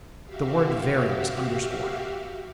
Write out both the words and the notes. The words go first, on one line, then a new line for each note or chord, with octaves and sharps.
The word 'very' was underscored.
F#4 G4 E5 F5